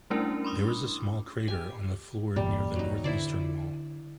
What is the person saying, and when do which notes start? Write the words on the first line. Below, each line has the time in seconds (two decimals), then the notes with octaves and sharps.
There is a small crater on the floor near the northeastern wall.
0.10 G3 A3 C#4 D4 E4 A#4
0.45 B5 C6 D6 D#6
1.48 G4 G#5
2.36 G1 E2 A#2 G3
2.76 F#3 D#4
3.04 D3 E4 C5 D5